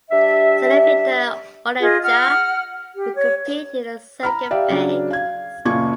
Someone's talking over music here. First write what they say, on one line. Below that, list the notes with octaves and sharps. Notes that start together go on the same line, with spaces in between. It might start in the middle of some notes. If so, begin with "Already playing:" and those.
Cedevita Olimpija will compete in the second phase.
G3 D4 E5
F4 G#4 D#5
F#5 F6
G4
C#5
A#5 B5 F6
G4 D5 E5 F5
C#3 F#3 D4
F5 G#6
F#1 A#2 F4 C#6 D6 G#6